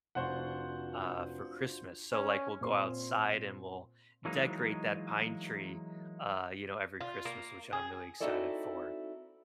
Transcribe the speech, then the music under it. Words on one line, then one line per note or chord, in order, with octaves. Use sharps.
uh, for Christmas, so like we'll go outside and we'll decorate that pine tree, uh, you know, every Christmas, which I'm really excited for,
F1 D4 F4 F#4 C5 F#5 C#6
C#4
A#2 C4 C6
E3 F#3 G#3 A#3 D#4
F4
A#3
G#4
C4 D#4 E4 F#4 A4 D5